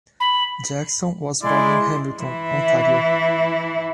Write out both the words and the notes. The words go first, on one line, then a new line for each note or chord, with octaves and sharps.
Jackson was born in Hamilton, Ontario.
B5
G#3 E4 D5 C6
E3 E4